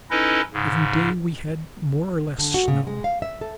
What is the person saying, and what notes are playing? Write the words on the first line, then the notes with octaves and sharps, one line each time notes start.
Every day we had more or less snow.
C#4 D#4 E4 A4 B4 D#5
G#2 C#3
D3
F#4
C#3
G#3
F5
E5
A4